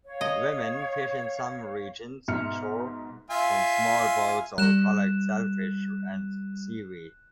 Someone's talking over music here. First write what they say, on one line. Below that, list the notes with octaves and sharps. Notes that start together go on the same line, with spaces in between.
Women fish in some regions inshore from small boats or collect shellfish and seaweed.
C#5 F5
D#5
G#2 B2 E5 F6 C#7
F4 E5 G#5
G3 F#6 E7